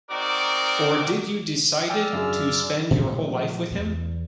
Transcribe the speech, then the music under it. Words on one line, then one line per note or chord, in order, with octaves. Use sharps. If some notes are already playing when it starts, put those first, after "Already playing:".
Or did you decided to spend your whole life with him?
C4 D#4 F#4 A#4 D5 D6
D5 G5 E6 F6
F#2 C#3 D4
A#2 F3 G#3 A3
E2